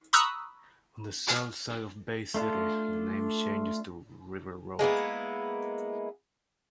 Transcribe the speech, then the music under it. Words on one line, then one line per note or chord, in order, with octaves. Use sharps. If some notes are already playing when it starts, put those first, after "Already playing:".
On the south side of Bay City, the name changes to River Road.
A#5 B5 C#6 D#6 E6 F#6
A3 D4 F4 A4
G#3 A#3 B3 E4